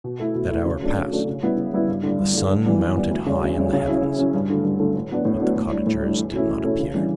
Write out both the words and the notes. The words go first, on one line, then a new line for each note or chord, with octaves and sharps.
That hour passed, the sun mounted high in the heavens, but the cottagers did not appear.
B2
A3 E4
B2
A3 E4
C#3
F#3 A3 D4
C#3
F#3 A3 D4
C#3
G3 B3 E4
C#3
G3 B3 E4
G2
D3 G3
G2
D3 G3
G2
E3 G3 B3
G2
E3 G3 B3
D2
C#3 G3 C#4
D2
C#3 G3 C#4
C#3
F#3 C#4 E4
C#3
F#3 C#4 E4
G2
D3 F#3 A3
G2
D3 F#3 A3
A2
F#3 B3 D4
A2
F#3 B3 D4
A2
G3 D4
A2
G3 D4
E2
B2 A3 C#4 E4
E2
B2 A3 C#4 E4
C#3
E3 G3 D4